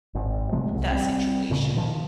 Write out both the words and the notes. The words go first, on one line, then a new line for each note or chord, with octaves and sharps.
that situation?
G#1
C3 F3 G#3 A3
C2
G3 C4
D2 A#2 C#3
B2 D#3 F3